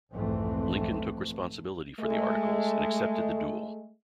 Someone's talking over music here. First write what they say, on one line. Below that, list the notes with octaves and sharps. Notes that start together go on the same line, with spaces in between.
Lincoln took responsibility for the articles and accepted the duel.
B1 F2 G#2 E3 A3 C4
G#3 A3